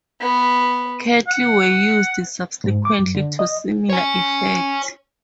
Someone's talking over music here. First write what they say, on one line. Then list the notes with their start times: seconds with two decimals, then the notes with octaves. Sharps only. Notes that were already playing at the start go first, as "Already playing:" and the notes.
Cattle were used subsequently to similar effect.
0.21 B3
1.28 F#5
2.64 G#2
2.85 D6
2.99 F#2
3.15 D3
3.39 D#5
3.90 C#5 G#5